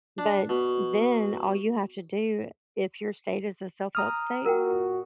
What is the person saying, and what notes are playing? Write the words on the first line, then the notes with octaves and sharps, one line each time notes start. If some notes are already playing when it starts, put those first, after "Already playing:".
But then all you have to do, if your state is a self-help state,
D4
B2
A#5 D#6 F6
A#2 F#4 A#4 F#5 G5